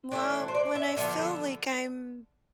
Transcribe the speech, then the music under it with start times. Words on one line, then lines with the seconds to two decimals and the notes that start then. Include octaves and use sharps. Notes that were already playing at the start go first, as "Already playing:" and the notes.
well, when I feel like I'm
0.11 E3 A3 D4 D5
0.48 C5
0.55 D5
0.75 E5
0.96 D3 F3 B3 E5
1.18 A4